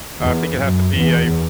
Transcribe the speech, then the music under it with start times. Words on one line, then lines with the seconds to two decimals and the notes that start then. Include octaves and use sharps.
I think it has to be a
0.22 E2
0.60 F#2
0.97 E2